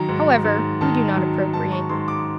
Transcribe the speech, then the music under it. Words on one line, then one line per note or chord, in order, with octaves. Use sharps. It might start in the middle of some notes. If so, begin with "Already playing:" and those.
However we do not appropriate.
Already playing: D#3 F#3 A#5
G#2
G#2
D#3 A5
F#3
G#2 A5
C#6
G#2 C6
D6